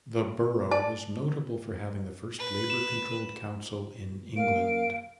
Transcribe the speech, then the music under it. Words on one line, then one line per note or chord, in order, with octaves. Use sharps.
The borough was notable for having the first Labour controlled council in England.
D5 A5
B4
E7
A#3 F5 D7